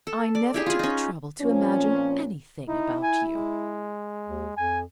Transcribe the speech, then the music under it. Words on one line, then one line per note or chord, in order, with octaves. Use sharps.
"I never took the trouble to imagine anything about you."
A4
D5
E4 G4 G#4
F4 G#4
C#4 D#4
A#2 F3 C4 C#4
D#4 E4
G#5
G#3
D#2
F2 G#5